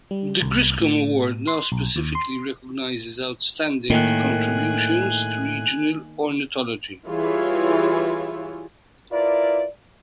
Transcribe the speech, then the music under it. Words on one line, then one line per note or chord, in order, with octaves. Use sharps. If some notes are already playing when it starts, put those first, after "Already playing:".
The Griscom Award now specifically recognizes outstanding contributions to regional ornithology.
G3
C2
A2
C6
B1
D#2
C6
A2 D#3 A#3 G#4 F#6
E3 G3 E4 F4 G#4 C#5
E4 F4 A#4 B4 D5